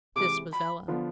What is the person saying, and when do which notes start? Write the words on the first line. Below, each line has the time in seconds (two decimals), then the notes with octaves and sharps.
This was Ella.
0.16 C3 E3 G#3 D6
0.52 B5
0.88 D3 F3 B3 D4 F4